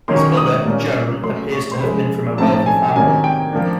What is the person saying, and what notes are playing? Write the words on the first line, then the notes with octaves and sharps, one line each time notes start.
His mother, Joan, appears to have been from a wealthy family.
D#3 F#3 A#3 C#4 C6
C#6
D#6
A#2 G3 A#3 C#4 F4
F#3 A3 C#4 C6
C#6
C6
C#3 F3 G#3 B5
A2 F3 A3 C4 D#4 A5
A5
G#5
C3 D#3 F#3 A#3 D4 G#5
G5
F3 A#3 D4